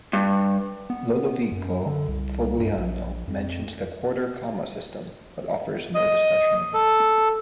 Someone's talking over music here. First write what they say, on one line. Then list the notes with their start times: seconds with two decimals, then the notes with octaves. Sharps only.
Lodovico Fogliano mentions the quarter-comma system, but offers no discussion of it.
0.13 G2
0.90 B3
1.52 F#2
1.86 D3
2.08 C2
2.59 G2
2.77 A#1
3.28 F2
5.95 D#5
6.74 A4